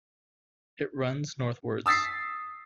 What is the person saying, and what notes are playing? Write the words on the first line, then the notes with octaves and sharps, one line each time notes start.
It runs northwards.
D#6 E6 A6 B6 C7